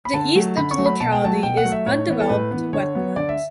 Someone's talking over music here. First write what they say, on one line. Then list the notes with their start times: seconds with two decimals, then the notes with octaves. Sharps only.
The east of the locality is undeveloped wetlands.
0.05 B5
0.14 D3 A5
0.35 F#3 A3
0.57 D3 B5
0.71 C#6
0.78 F#3 A3
0.86 B5
1.00 B2 A5
1.12 G5
1.21 F#3 A3 A5
1.43 B2 G5
1.57 F#5
1.65 F#3 A3
1.72 E5
1.86 A2 C#5
2.08 E3 B3
2.20 A4
2.29 A2 B4
2.51 E3 B3
2.73 D3 C#5
2.95 F#3 B3
3.16 D3 D5
3.29 E5